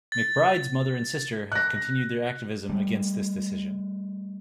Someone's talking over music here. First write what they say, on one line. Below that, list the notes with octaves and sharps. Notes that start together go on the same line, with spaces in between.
McBride's mother and sister have continued their activism against this decision.
A6
F#6 A#6
G3 A3